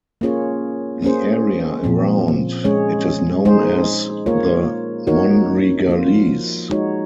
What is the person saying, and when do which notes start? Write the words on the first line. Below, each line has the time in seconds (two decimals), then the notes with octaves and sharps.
The area around it is known as the Monregalese.
0.21 A#3 C#4 F4 G#4 C#5
1.02 A#3 C#4 G#4 C5
1.83 A#2 F3 C4
2.64 G#3 C#4 G#4 C#5
3.45 G#3 D#4 G#4 C5
4.26 A#3 F4 A#4 C#5
5.07 A#3 D#4 F#4 A#4 C#5
5.88 F3 A#3 F4
6.70 G#3 D#4 F#4 C#5